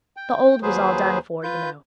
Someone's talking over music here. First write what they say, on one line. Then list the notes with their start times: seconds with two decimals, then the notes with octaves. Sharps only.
The old was all done for, you know.'
0.17 G5
0.62 D#2 F#3 G#4 B4 C5
1.43 F4 B4 G6